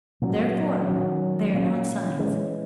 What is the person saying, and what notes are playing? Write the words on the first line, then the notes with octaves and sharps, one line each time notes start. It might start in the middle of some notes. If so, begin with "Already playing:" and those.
Therefore they are not signs.
A#2 F#3 C#4
D#3 F#3 C#4
A#2 A#3 C#4
E3 G#3 C#4